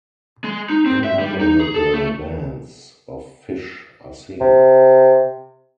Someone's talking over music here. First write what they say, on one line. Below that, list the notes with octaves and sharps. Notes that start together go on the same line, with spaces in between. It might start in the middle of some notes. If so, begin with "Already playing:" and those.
Innumerable bands of fish are seen.
G#3
D#4
C4
E5
G3
D#4
G#4
A4
A3
C3